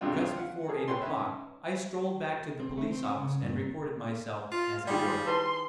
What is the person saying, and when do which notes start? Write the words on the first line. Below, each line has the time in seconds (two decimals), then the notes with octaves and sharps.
Just before eight o'clock I strolled back to the police-office and reported myself, as it were.
0.01 G#1 F2 B2 D4 F4 G5
0.19 F4
0.37 F#5
0.68 G#4 A4
0.88 B4 C#5 G5 C6
1.02 C#4 D#4 B4 E5
2.60 C4
2.77 A3
2.91 C4
3.04 C#4
3.16 C#3
3.42 G2
3.57 A#4
4.52 F4 F5
4.87 D#3 G3 F4 G#4 D5 G5
5.26 E4 B4 A5 C6